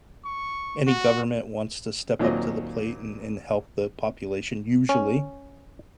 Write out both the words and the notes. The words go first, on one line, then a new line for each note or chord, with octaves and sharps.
any government wants to step up to the plate and and help the population, usually.
C#6
F#4
D#2 A#2 F#3 C4 D#5
C#4